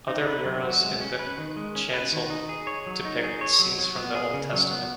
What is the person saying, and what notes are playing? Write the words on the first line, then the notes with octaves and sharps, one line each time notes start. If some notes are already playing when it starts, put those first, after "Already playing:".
Other murals in the chancel depict scenes from the Old Testament.
D#4
B4
F#3
F#3
G#3
C#4
B4
D#3
G#3
C#4
B4
D#3
D#4
G#4
C#5
F#3
D#4
G#4
C#5
F#3
F#3
B3
G#4
C#3
F#3
B3